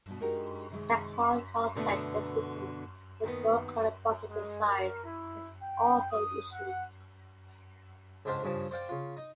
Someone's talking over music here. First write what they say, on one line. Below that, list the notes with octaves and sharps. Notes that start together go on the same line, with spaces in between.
A cloth lozenge depicting the gold colored button design was also issued.
G2 B2
G#3 D4 D#4 F#4 G4 A#4
C3 D#3 G#3
B2 D3 A3 B3
D#2 D#3 B3
G#3
A#4
E4
G5
D#6
F#5
C#2 G#2 D4 G4 C5 F5
G2 C#3 E3 F3
C5 D5 F5 G5
C#3 F4
D#4